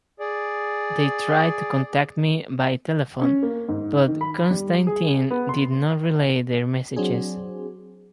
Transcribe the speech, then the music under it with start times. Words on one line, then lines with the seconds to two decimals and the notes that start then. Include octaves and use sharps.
They tried to contact me by telephone but Constantin did not relay their messages.
0.20 G#4 D5
3.21 C#4
3.43 A#3
3.69 G#2
4.08 D#3
4.21 B5
4.51 G3
4.87 G#4
5.31 B3
5.49 C6
6.96 F#3 C4 D4 G#4